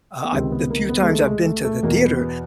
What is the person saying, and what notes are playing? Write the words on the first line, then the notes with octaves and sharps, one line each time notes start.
uh, I the few times I've been to the theater,
B3
C#2 C3 D#3 C4
B3
A#3
B3
G#3
A3
A3
G#3
A3
A3
E2 B2 A#3
B3
B3